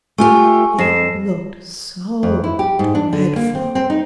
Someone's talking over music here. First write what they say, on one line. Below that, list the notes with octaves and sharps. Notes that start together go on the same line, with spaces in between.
It looked so dreadful.
A3 F4 G4 G#5 C#6
F2 A#6 C7 E7
F2
E4
G4
G#2
D4
D3
A#3
C4
C4
D#4